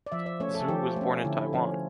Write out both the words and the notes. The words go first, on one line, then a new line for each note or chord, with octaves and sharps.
Zhou was born in Taiwan.
D5
F3 E5
D5
A3 C#4 C#5
A4
F3 G4
A3 C#4
D3 E4
F3 C#4